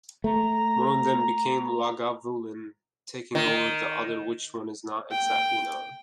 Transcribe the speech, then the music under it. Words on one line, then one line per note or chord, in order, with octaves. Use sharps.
One of them became Lagavulin, taking over the other-which one is not exactly known.
A3 A#5
D#3
G5